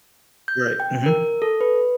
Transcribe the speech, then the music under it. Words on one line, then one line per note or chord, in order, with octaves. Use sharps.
Right, mhm.
G6
G5
A#4
A4
B4